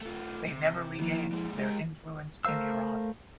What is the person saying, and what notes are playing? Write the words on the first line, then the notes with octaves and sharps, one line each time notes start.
They never regained their influence in Iran.
A3 F4
C3
D#3 F3 A#3 E4
A#2 G#3
G#3 G4 A#4
A3 A#4 C5 F5 E6